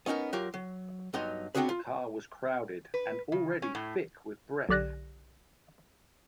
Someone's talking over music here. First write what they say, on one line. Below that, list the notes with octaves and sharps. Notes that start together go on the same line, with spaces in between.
The car was crowded and already thick with breath.
B3 C#4 D#4 F#4 A#4
F#3 F4 G4 A#4
F#3
G2 F#3 B3 D#4 D#5 C6
B3 C4 D4 F#4 G#4 B4
F4
B4
C#3
C#4
A2
B1 D3 G4 D5 F#6 A#6